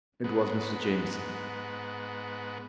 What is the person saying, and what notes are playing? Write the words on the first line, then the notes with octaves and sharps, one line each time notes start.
It was Mr. Jamieson.
G#2 B3